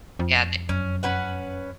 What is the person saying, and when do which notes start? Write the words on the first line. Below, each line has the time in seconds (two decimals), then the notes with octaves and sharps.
Yea, they
0.19 F2
0.69 F#2 C#4
1.03 C#4 B4 F#5